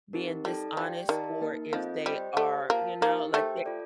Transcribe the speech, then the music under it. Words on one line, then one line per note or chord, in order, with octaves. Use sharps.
being dishonest, or if they are, you know, like they
C4 D#4 G4 A#4
G3 D#4 A4 D5 A5
F3 G4 D5 G5
D#3 G4 A#4 D5 F5 A5
A#3 D#4 A#4
F3 C4 F4 A4 D#5
G3 G4 C5 D#5 G5
A3 G4 C5 F5
A#3 F4 A#4 F5 A5
A#3 D#4 G4 A#4
A3 G4 C5 G5
F4 A4 D5